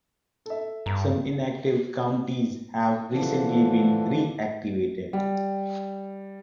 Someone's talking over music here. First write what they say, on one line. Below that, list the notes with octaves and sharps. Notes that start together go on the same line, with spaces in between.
Some inactive counties have recently been reactivated.
A4 E5
G2 A#5
D3 E3 F3 D4
G3